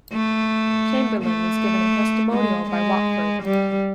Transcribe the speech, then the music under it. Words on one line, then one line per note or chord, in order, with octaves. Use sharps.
Chamberlain was given a testimonial by Watford.
A3
A3
G#3
G#3
G3